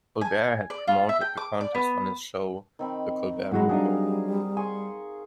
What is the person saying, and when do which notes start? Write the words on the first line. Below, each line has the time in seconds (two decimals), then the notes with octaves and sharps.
Colbert had promoted the contest on his show, "The Colbert Report".
0.21 G#5
0.70 D5
0.87 F4
1.09 E5
1.21 G5
1.37 D6
1.61 D5
1.75 B3
2.79 D#3 C4 B5
3.52 G#2 F#3 G#3 E4 A#4 F#5
3.69 F#3 G3 D4 D#4 G#4 F5
4.57 G#4 G#5 C6 C#6